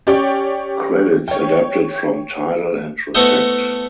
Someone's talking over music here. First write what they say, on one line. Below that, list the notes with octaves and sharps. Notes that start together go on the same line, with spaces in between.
Credits adapted from Tidal and Respect.
C#4 G4 C#5 D5 G5
C#5 G5
A3 B3 E4 F#4 C5 D#5